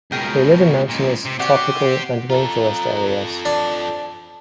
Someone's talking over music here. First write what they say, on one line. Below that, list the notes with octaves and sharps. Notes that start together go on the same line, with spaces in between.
They live in mountainous, tropical, and rainforest areas.
C#2 B2 G#4 A#4 G5
C#2 A#2
C3
C4 F#4 G4 D5 F#5
F4 A4 A#5
D4 A5